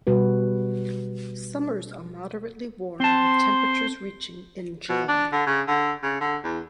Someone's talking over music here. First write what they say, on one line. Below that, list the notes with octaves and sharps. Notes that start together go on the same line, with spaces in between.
Summers are moderately warm with temperatures reaching in July.
B2 G3 F#4 B4
C4 C5 A5 C6
B2
D4
D3
C#3
D3
C#3
D3
E2